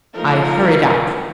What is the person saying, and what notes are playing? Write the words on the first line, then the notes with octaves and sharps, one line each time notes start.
I hurried out.
F3 A3 D#4 A#4